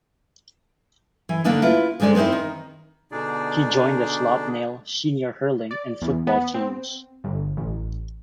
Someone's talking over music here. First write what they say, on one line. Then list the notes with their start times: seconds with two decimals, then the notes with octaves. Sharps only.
He joined the Slaughtneil senior hurling and football teams.
1.29 E3
1.44 D3 A#3 D4 D#4
1.62 E4 F4 B4
2.00 D3 D#3 G#3 C5 D5
2.15 B3 C4 D#4 E4 A#4
2.32 D#3
3.12 B2 D3 D4 D#4 G#4 D5
5.71 D5
6.02 E2
6.27 B3
6.54 C4
7.24 G1
7.57 A1